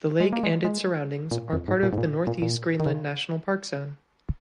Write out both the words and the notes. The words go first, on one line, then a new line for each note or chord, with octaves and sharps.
The lake and its surroundings are part of the Northeast Greenland National Park zone.
G#3
A#3
G#3
G#3
A#2
F2
G#2
A#2
G#2
A#2
A#2
A#2
D#3
C#3